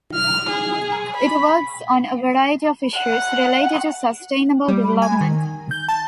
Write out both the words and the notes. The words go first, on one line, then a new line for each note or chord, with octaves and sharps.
It works on a variety of issues related to sustainable development.
F6
G#4
B5
F#5
G3
G#5
D#3
G6
A5